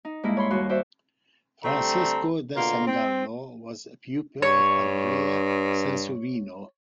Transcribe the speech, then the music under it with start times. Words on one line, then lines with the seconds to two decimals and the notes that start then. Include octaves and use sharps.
Francesco da Sangallo was a pupil of Andrea Sansovino.
0.05 D#4
0.23 G2 G#3 A#3 E4
0.37 C#5 B5 C6
0.50 D#2 G3 F#4 C6
0.69 F#4 C5 D5 E5
1.63 D3 G3 A3 C4 A4 A#5
2.55 B2 D3 A#3 F4 A#4
2.85 C4
4.42 G2 C#5